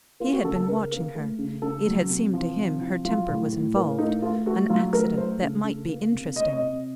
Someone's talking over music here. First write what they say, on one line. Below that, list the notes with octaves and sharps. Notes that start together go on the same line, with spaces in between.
He had been watching her; it had seemed to him her temper was involved--an accident that might be interesting.
A#3 F4
F#4
C#3 A4
A4
C#3 A#4
A#3
A3
C#3
C#3 A4
F#3
C3
F3
C3
F3
F#3 F4
A2
A2
A#3
A3 D#4
A3 F4
A3 F#4
F#3 F4
A3 A#4
A3 C5
C#3
C#3
A#3
C3
C3 D#5
C#5
D#5
C3